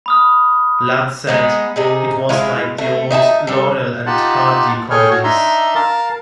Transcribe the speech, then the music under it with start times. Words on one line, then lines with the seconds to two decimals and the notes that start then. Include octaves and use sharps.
Ladd said It was like the old Laurel and Hardy comedies.
0.06 B5 D#6 F6
1.27 G#3 B3 D#4
1.76 C3 D#4 G#4
2.29 G#3 E4 F4
2.78 A3
3.11 D#4 E5 G5 A5
3.47 G3 A4
4.06 D#4 F4 G4 F#5 A5
4.91 G#4 A4 C#5 G5 F6
5.10 F#4 C#5
5.24 D4 D#4 E5 A#5 C6
5.75 A#4 F5 A5